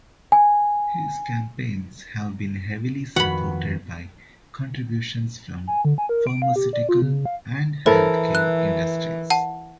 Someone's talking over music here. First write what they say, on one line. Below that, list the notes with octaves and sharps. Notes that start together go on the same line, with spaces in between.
His campaigns have been heavily supported by contributions from pharmaceutical and health care industries.
G#5
F2 D#3 F#4 B4 F#5 B5
G#5
D3
G#5
A#4
D7
F5
G4
D5
F4
C#3
F5
E3 E4 A4 A#4 C5
F#6
F#5 A5